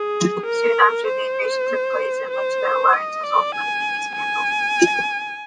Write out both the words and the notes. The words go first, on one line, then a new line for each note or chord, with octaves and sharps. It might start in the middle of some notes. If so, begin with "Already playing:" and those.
Soon after, "The Invasion" took place, in which The Alliance was ultimately dismantled.
Already playing: G#4
A#4
C5
C5
D#5
D5
G#5
G#5